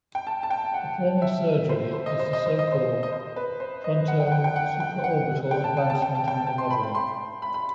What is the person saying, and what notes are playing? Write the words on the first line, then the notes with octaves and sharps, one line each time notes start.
A form of surgery is the so-called fronto-supraorbital advancement and remodelling.
G5
A5
A5
G5
F#5
E5
C5
C5
D#5
C5
D#5
C5
D#5
C5
D#5
C5
B4
C5
D#5
F#5
G5
F#5
G5
G5
F#5
G5
F#5
G5
A5
G5
A5
G5
A5
G5
A5
C6
B5
B5
C6
B5
B5